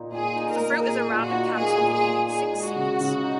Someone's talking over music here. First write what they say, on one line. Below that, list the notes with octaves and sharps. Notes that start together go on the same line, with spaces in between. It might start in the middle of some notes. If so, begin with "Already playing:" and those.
The fruit is a rounded capsule containing six seeds.
Already playing: A#2 A#3 D#4
A#2 G#4
D#4
A#4
A#3
A#2 G#4
A#2
F#4
D#4
A#3 G#4
A#2
G#4
A#2
D#4 G#4
G#3
F#4
C#3
C#3
D#4